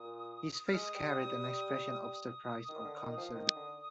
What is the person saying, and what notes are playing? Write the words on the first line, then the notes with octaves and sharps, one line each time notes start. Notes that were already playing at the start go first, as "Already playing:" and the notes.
His face carried an expression of surprise or concern.
Already playing: A#2 D#6
F6
G#3 D#6
G3
G3
D#6
D#3
D3
D#3
F3
D#3 D#6
D3